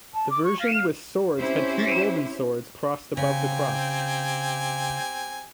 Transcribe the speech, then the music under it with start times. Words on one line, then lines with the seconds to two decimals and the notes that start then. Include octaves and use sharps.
The version with Swords had two golden swords crossed above the cross.
0.14 A5
0.30 D6
0.44 C#6
0.59 F5
0.73 F5
1.37 C4 C#4 E4 G4 C5 C#5
3.17 C#3 C4 G4 G#5